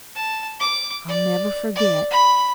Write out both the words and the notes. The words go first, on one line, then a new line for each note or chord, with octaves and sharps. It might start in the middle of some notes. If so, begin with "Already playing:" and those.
I'll never forget.
A5
D6
D5
D5
B5